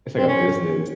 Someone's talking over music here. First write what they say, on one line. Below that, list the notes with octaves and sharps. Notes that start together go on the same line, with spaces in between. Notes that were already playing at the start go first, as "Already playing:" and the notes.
it's, like, a business
C4
C#4